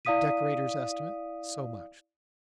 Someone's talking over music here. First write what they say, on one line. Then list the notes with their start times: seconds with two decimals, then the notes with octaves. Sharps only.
Decorator's estimate, so much.
0.05 E4 D5 F5 D#6 B6 D#7